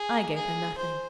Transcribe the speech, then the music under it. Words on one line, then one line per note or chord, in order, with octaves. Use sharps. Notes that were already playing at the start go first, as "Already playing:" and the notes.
'I gave her nothing.
Already playing: G#4
G#4
C5